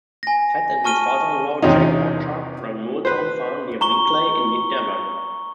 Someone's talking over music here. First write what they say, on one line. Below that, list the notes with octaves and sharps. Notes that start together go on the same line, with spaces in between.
Ted and his father-in-law, Jack Orchard, ran Moortown farm near Winkleigh in Mid Devon.
G#5 A#6
A5 C#6 F6 D#7 G7
E2 C3 C4 C#4 D#4
B4 C5
A#5 C#6 G7